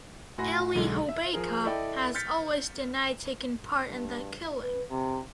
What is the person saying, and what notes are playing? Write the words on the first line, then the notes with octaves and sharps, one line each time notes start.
Elie Hobeika has always denied taking part in the killing.
A2 F#4 G#5 B5 C6 A#6
B1 D3 G#3
E5
F3 G#4 A#4
E4 A4 D5 D#5 G5
F6 G6 A6 B6 C#7
G2
B4
C3